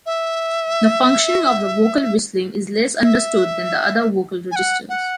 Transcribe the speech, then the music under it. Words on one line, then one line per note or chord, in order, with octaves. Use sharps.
The functioning of the vocal whistling is less understood than the other vocal registers.
E5
E5
G#5
F#5
F#5